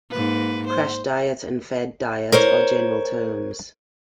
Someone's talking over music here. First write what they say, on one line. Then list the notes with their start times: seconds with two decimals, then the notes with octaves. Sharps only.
Crash diet and fad diet are general terms.
0.11 G#2 A#3 B4
0.67 C5
2.32 A#4 C5 C#5